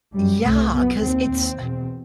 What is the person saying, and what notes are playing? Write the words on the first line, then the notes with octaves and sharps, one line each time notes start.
Yeah. 'Cause it's
F#2 G3
C2 C3 A3
F#2 B3
D#2 C4
D#2
E2 B2